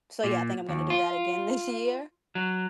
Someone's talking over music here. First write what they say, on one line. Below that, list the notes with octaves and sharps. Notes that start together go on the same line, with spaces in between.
So yeah, I think I'm gonna do that again this year,
A#2
D#2
F4
F#3